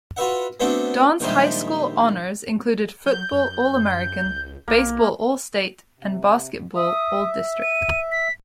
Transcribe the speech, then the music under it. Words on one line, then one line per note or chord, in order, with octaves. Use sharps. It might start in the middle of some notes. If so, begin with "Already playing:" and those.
Don's high school honors included football All-American, baseball All-State and basketball All-District.
F4 F#4 B4 E5 F#5
A3 B3 C4 D4 F#4 A4
A#1 D#3 G3 G#3 C5 E5
F#3 G6
F#2
C#2
B1 A#3
C3
E5 D#6
D#7
B6